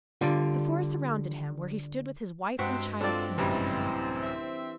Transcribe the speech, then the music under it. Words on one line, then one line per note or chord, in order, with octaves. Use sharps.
The four surrounded him, where he stood with his wife and child clinging to him.
D3 G3 F4
G2 C3 G#3 B3 C4 F#4 B6
C4 D4 F4 A4 D5
A1 F#2 C3 E3 G3
E5 E6